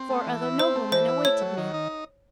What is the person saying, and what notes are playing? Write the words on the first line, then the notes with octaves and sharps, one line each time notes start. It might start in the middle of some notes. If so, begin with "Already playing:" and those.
Four other noblemen awaited me.
Already playing: C4
A3
E3
E4
C4 C5
A3
E3 C5
E4
A3 C#5
F#3
D#3
D#4